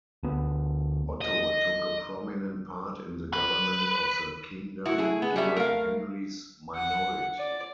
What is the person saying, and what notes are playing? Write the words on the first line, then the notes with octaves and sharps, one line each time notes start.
Otto took a prominent part in the government of the kingdom during Henry's minority.
D2 B3
D#5
B4
A3 E4 F#4
E4 G#4
B3 G#4
G3 C#5 E5
A3 A#4 F5
F#5
D5